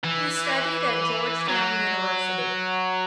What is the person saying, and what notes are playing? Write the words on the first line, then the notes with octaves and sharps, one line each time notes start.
He studied at Georgetown University.
E3
F#3